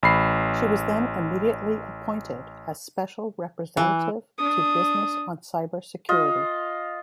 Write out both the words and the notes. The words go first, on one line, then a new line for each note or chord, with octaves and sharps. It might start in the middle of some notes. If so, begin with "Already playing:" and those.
She was then immediately appointed as "Special Representative to Business on Cyber Security".
A1 B5 C7
E3
D4 D#6
F4 D#5